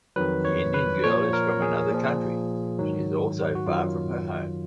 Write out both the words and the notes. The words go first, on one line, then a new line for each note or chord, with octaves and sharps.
The Indian girl is from another country. She is also far from her home.
F2 D#3 F#3 B4
C#5
B4
A#2 F3 C#5
A#4
G#4
A#2 F3
G#2 D#3 F#3
F#4
F#2 D#3 F#3 F4